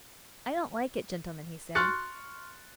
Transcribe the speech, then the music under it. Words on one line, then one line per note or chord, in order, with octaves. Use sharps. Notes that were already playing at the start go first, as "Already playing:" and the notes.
'I don't like it, gentlemen,' he said.
C6 C#6 F6 F#6 A6 C#7